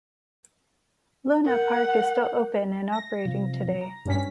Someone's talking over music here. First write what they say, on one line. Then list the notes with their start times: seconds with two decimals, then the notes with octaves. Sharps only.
Luna Park is still open and operating today.
1.46 A#4 F#5 G6
2.92 A#6
3.25 C3 F3
3.81 A#5
4.05 G2 C#4 B6